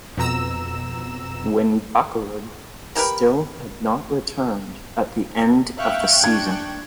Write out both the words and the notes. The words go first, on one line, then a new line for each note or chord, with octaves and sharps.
When Bakkerud still had not returned at the end of the season.
F2 B2 A#5 E6 E7
A#3 G4 A#4 B4
E5 F5 G5 C#6 F#6
D4 G#6